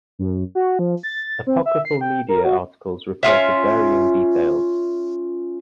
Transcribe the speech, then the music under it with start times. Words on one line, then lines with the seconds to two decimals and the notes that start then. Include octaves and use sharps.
Apocryphal media articles reported varying details.
0.19 F#2
0.55 F#4
0.79 F3
1.03 A6
1.47 C4
1.66 E5
1.85 C7
2.01 G5
2.29 A#4
2.44 F#4
3.23 C#4 D#4 F4 E5